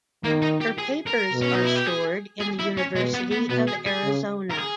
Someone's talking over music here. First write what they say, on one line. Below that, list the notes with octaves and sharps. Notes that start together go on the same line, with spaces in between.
Her papers are stored in the University of Arizona.
D#3 A#3
D#4
G4
G#4
A#4
B2
C#4
D#4
E4
G4
G#4
G#4
E4
C#4
B2 G#3
B3
B3
B2 B3
G#4
G#4
C#3
A#4
G#4